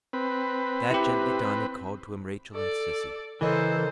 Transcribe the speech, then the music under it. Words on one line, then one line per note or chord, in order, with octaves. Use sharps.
That gently done, he called to him Rachael and Sissy.
C4 B4
E4 G4
A4 D5
C#3 E3 A4 A#4 C5 D#5